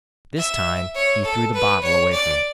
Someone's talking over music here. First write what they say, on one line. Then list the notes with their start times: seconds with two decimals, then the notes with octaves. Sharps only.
This time he threw the bottle away from it.
0.37 E5
0.95 C#5
1.24 A4
1.54 B4
1.82 C#5
2.12 D5